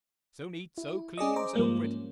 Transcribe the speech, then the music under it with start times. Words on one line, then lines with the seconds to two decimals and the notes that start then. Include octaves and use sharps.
So neat, so clean, so pretty!
0.78 E4
1.17 C#4 G#4 D5 D#5
1.36 C5 A#5 D6
1.56 G#2 F3 G3 G#3 A#3
1.84 C#4